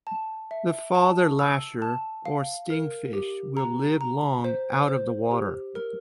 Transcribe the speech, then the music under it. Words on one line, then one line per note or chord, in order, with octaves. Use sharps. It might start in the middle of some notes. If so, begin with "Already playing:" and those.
The father-lasher, or sting-fish, will live long out of the water.
A5
E5
A5
E6
A5
F5
A#4
G4
A#5
A#5
C5
C5
G4
A#4